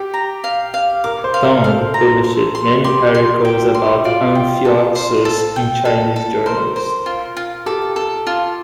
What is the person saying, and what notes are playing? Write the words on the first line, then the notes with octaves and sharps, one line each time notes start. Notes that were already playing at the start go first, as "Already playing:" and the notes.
Tong published many articles about amphioxus in Chinese journals.
Already playing: G4
A#5
F5
F5
A#4 D6
C5
F5
A#4
A4 F5
A#5
C6
C6
G4 C6
C6
G5
C6
F4 D5
G5
A4
C5
A4
G5
A4
A4
A#4 C5
C5
F4
F4
G4 A4
A4
F4